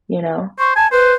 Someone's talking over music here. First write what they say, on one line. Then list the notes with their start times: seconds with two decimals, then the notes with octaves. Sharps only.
you know?
0.59 C5 C#6
0.76 G#5 A5
0.92 B4 C5